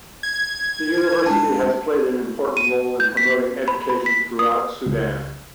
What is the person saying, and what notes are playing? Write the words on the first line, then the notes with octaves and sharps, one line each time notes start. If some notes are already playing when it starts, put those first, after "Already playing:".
The university has played an important role in promoting education throughout Sudan.
G#6
G#3 D4 A5
D#7
G6
B6
B5
B5
B6
D#6
C#2